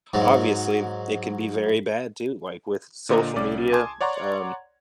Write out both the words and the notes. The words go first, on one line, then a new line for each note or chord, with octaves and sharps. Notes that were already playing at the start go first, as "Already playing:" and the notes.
obviously it can be very bad too, like with social media, um,
G#2 F#3
A#2 D3 C5 D5 D#5 A#5
C2 C#4 D5 D6
G#5 A5 C6 D6 D#6 G#6
C#5 D5 F#5 A#5 C6 C#6